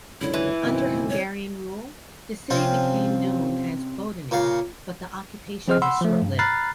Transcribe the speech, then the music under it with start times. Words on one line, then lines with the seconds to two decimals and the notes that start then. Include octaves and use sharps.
Under Hungarian rule, the city became known as "Bodony", but the occupation was short-lived.
0.21 C#2 F#2 D3 E4 C#5
0.34 E3
0.63 F#1 B2 D#3 C4
1.09 C#5
2.50 C3 F3 C4 C#4 F4
4.31 A#2 C#3 F5
5.68 F3 C4 G#4 C5 D#5 F6
5.82 F#5 B5 C6 E6
6.01 F3 A3
6.22 G2
6.39 A#5 B5 F6 F#6 A6 C7